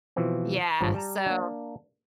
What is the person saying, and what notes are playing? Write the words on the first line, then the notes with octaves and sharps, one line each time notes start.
Yeah, so
B2 E3 F3 C4
G#1 G2 F3 C#5
G3 A5 A#5
A#3 D4